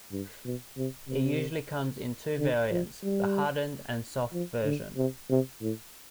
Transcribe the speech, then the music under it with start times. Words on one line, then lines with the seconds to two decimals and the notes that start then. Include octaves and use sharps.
It usually comes in two variants: the hardened and soft version.
0.12 G2
0.45 B2
0.77 C3
1.08 C3
2.38 D3
2.71 F3
3.03 G3
4.33 F3
4.64 D3
4.97 C3
5.30 C3
5.61 A2